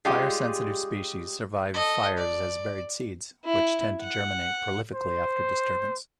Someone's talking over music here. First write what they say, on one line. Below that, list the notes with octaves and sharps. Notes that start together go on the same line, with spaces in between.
Fire-sensitive species survive fires as buried seeds, which tend to germinate prolifically after disturbance.
G3 G#3 C#4 F4 G4 G#4
A4 D#5
D5
E4
F#5
C5